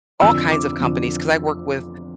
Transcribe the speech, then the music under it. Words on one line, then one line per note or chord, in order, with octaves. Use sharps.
all kinds of companies, 'cause I work with
F2 D3 F3 E6
D6
F2 D3 F3